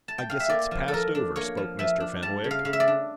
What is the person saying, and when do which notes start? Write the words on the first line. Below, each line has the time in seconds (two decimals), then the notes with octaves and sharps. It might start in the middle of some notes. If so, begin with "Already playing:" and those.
"I guess it's passed over," spoke Mr. Fenwick.
0.08 A5
0.18 G5
0.30 F5
0.40 E5
0.49 A#3 D5
0.71 F3
0.88 A4
0.93 F3 A#4
1.15 D4
1.36 A#3 C#5
1.57 F3
1.79 F3 E5
2.00 D4
2.23 G3 A5
2.44 C#3
2.51 F5
2.65 C#3 F5
2.73 E5
2.80 D5
2.88 D4